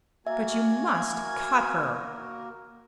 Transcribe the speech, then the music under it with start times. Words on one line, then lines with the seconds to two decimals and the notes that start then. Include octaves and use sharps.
"But you must CUT her."
0.27 A#3 F#4 A#4 E5 G#5